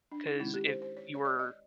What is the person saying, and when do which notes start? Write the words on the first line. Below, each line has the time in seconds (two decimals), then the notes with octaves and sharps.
'Cause if you were
0.12 D4
0.26 D#4
0.39 D#3 G#3 C#4 E4
0.54 G4
0.68 C5
0.82 C5
0.97 C#5
1.15 C#5
1.25 D5
1.39 D#5